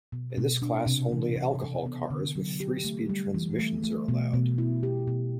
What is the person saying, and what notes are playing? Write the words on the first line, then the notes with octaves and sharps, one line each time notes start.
In this class only alcohol cars with three-speed transmissions are allowed.
B2
B2
D4
C3
E3
C3
A4
B3
D3
F#3
G4
A3
G3
E3
A3
A3
B2
B2
E4
G4
B2